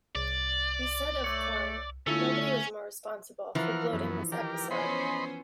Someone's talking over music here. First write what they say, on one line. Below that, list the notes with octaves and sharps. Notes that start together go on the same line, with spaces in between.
He said of Corn, Nobody was more responsible for bloating this episode.
C2 D5
A3 C#5
D3 A3 C#4 E4 F4 A4
E3 F3 A#4 F#5 F6
F#2 B3
D#3 G4 A#4
B3 C#4 C5 D#5 B5 C6